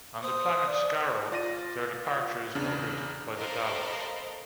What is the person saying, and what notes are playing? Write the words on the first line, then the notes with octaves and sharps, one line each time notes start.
On the planet Skaro, their departure is noted by the Daleks.
C5 D#6
D5
F4 D5 A#6 D#7
E2 C#3 D4
A4 A#4 C5 D#5 F5 B5